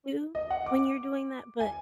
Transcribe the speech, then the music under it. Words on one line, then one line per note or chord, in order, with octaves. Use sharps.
too, when you're doing that, but,
D#5
F#5
D6
G#5